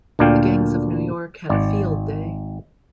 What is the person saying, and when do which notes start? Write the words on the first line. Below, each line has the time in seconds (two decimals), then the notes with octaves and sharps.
The gangs of New York had a field day.
0.19 D2 A#2 D4 D5 F5 G5
1.49 G#1 D5